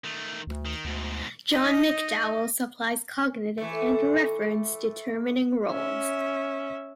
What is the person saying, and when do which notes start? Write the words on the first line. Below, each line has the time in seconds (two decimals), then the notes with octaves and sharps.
John McDowell supplies cognitive and reference-determining roles.
0.04 D#3 A3
0.47 D2
0.65 D#3
0.85 D2 G#2 B2
1.52 D#4 D#5
3.58 E3 A3
5.69 C#4 E5